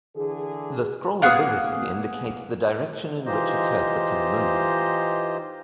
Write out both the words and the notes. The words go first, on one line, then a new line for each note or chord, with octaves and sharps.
The scrollability indicates the direction in which a cursor can move.
D3 E3 G#4
A#3 B3 G#4 F5 D#6
E3 D#4 F4 G4 C5 D#5